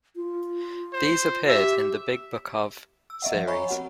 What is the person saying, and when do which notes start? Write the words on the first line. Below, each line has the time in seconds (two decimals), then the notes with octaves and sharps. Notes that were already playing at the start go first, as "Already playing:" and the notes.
These appeared in the Big Book Of... series.
0.16 F4
0.93 C5
1.49 G4 E5
3.10 E6
3.22 B3 D#5 E5 F#5
3.35 F3
3.47 C#5 G#5 A#5 B5 C#6
3.69 C4 F#4 F#5